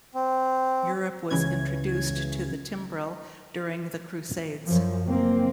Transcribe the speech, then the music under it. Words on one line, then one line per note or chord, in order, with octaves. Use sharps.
Europe was introduced to the timbrel during the crusades.
C4
C#2 C#3 E3 C#4 G#6
F#2 F3
F#1 A#3 C4